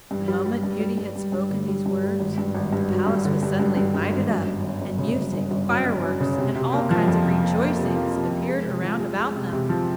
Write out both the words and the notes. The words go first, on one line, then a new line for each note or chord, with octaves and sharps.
The moment Beauty had spoken these words, the palace was suddenly lighted up, and music, fireworks, and all kinds of rejoicings, appeared round about them.
G2
G3
G3
G2
G3
G2
G2
G2
D3
G3
G2
G3
G#1
G2
G#1
G2
F#3
G2
D3
G2
G2
G2
G2
G#1
F#2
G1
G1
G1
C#3
G1
G1
G1
F#2
G1
F#2
C#3
C3
C3
A#3
F3
F2
C3
A#3
A#3
C3
A#3
C3
F3
G#3
C3
F3
G#3
G#3
C3
C3
F3